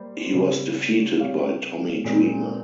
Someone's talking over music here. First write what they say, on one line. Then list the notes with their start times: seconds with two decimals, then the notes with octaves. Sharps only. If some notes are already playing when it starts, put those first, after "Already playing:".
He was defeated by Tommy Dreamer.
Already playing: G3 A#3 C5
0.34 C#3 G3 C4 G4 C#5
1.19 G3 C4 G4 C#5 F5
2.05 A#2 G#3 C4